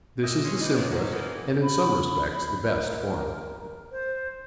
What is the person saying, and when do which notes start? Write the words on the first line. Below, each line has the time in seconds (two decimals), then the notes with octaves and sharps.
This is the simplest, and in some respects the best, form.
0.22 D#2 A#2 C#4 D#5 E5
0.43 G#3 C#4
0.60 B2 E3 D4 D#4
0.74 A#3 B3 D4 E4 C5 C#5
0.90 G#2 F#3 C#4 D#4 F#4
1.11 D#3 E3 A#3 B3 A4 A#4
1.63 B5
2.63 A#4
3.92 C5